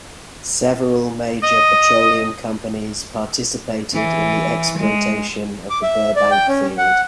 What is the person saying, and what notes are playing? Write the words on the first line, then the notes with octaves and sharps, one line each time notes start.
Several major petroleum companies participated in the exploitation of the Burbank Field.
D#5
E3
G#3
D6
E5
D5
G5
C#4
F#5